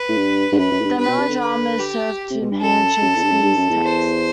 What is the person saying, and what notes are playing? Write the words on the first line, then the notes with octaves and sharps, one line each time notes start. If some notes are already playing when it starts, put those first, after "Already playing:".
The melodramas served to enhance Shakespeare's text.
Already playing: B4
A2
G2
G2
F#2 B4
F#2
A2
G2
G2 B4
B2
C3
D3
B4
G4
C3
B2
G2
F#2 A4
F#2
E2
G2
F#2
G2
F#2
E2
C5